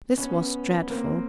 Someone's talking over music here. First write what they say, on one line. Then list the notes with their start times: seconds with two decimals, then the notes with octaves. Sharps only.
This was dreadful.
0.18 B3 C#4
0.90 A#3 C4